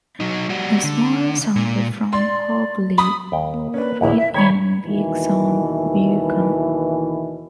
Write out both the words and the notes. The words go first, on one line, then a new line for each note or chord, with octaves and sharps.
A small sample from "Hog Leg" appeared in Beck's song "Beercan".
F#3 D#4
G3 F#4
D3
A#2
D5 C6
B5 D#6
D#2 G5
A#3
C#4 D4 B4
A#1 D#2 E4
E4 E5
D#3 G#3 C5 C#5 B5 G#6
D#2 B2 E3